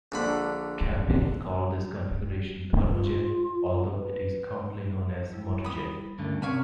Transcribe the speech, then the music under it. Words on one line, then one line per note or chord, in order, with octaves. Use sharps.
Campini called this configuration "thermojet", although it is commonly known as "motorjet".
A#1 D3 B5
F4
B4
G3 E4
B5 D#6
D2 G2 D3 C#4 A#4
C3 C#4 C#5 F5 B5